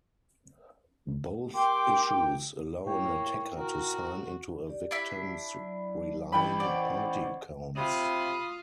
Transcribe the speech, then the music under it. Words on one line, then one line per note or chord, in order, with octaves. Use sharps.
Both issues allow an attacker to sign into a victim's relying party accounts.
A#3 G4 G5 C6 D6
A2 A#3 E4 C#5 G5
F#4 A#4
G4 D5
D4 E4 B5
F#3
A1 G5 B5
C5 D5 F#5 C#6
C3 F4 B5 D#6